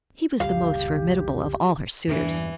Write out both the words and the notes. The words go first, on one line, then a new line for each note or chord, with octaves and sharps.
He was the most formidable of all her suitors.
F#1 C#2 G3 G4 F5
E2 G2 E3 D4